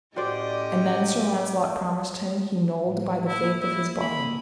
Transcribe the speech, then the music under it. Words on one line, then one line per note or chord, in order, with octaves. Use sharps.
And then Sir Launcelot promised him he nold, by the faith of his body.
A2 C#4 F#4 G4 C5 D5 D#5
A2 F#3
A#3 E4 D#6
E4
B5